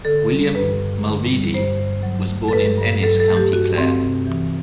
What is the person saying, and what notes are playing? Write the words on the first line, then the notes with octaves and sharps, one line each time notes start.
William Mulready was born in Ennis, County Clare.
D3 A4
G3
G2 B4
G2
D3
G3
G2 C5
G2
F#3
A3
A4
G2 B4
G2
F#3 A4
A4
A3
G4
G2 F#4
G2 C4
C3
E3